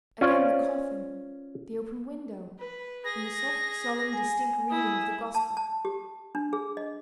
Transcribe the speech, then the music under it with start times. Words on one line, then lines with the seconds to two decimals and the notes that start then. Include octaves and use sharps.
Again the coffin, the open window, and the soft, solemn, distinct reading of the Gospel.
0.21 C#4 F4 C5 D5
2.58 B4
3.05 G#4 A#6
4.13 G#5
4.70 E4 D#6
5.35 A5
5.57 A5
5.85 G4
6.35 D4
6.53 G#4
6.77 D#5